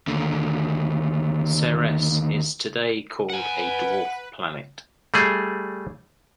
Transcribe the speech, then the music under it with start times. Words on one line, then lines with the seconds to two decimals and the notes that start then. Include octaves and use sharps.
Ceres is today called a dwarf planet.
0.07 D#2 D3
3.30 B4 F#5 G#5
5.14 G3 A3 G#4